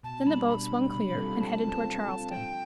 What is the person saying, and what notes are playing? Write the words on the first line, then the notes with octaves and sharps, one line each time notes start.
Then the boat swung clear and headed toward Charleston.
B2 A5
G3 D4 B5
B2 B5
G3 D4
C3
G3 C4 F4 A4
C3 A5
G3 C4 F4 A4
F3
C4 F4 A4
F3 G5